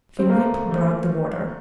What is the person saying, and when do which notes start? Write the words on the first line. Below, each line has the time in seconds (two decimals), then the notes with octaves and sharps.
Philip brought the water.
0.19 C4
0.29 D3 A3 A#3 C4
0.69 D3 A3 C4